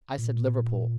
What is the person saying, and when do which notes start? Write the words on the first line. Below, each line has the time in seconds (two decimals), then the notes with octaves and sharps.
"I said Liverpool."
0.18 A#2